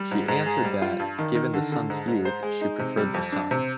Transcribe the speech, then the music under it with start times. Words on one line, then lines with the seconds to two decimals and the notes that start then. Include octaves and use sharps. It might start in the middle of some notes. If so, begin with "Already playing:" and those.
She answered that, given the son's youth, she preferred the son.
Already playing: G3
0.11 G#2
0.28 G#2
0.46 G#4
0.65 G3
0.82 F4
0.99 G2
1.19 D#3
1.35 D#3
1.54 D3
1.72 D3
1.90 G#2
2.08 G#2
2.25 C5
2.43 G#3
2.61 D#4
2.79 C3
2.97 G3
3.14 F2
3.32 D4
3.51 C3